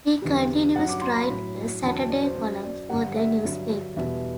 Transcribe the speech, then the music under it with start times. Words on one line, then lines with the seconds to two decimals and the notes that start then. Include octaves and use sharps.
He continues to write a Saturday column for the newspaper.
0.22 E2 D3 G3
0.75 G2 F#3 F#5
0.88 D6
1.02 C6
1.15 B5
1.29 A2 F#3
1.82 E2 D3 F#3 A5
1.95 A5
2.09 D5
2.23 C5
2.35 F#2 F#3 C5
2.62 D5
2.89 G2 D3 G3 F#5
3.16 E5
3.43 G2 D3 F#3
3.96 E2 B2 G3 E5